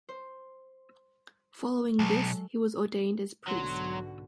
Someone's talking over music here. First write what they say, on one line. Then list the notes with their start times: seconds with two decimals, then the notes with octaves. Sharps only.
Following this, he was ordained as priest.
0.09 C5
1.99 B1 F#3 G#3 A4
3.48 B1 G#2 B2 D3 F#3 F#4 C6